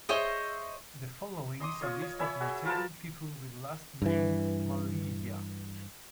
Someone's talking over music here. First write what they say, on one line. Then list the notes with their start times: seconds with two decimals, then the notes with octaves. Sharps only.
The following is a list of notable people with last name Mallya.
0.09 G#4 C5 C#5 D#5 E5
1.60 D#5 C6 D6 D#6
1.81 F4 C#5 D#5
2.02 C#5
2.19 C#5 E5 G#5 B5
2.40 F#4 G#4 E5
2.65 F4 A#4 B4 A5
4.02 G2 E3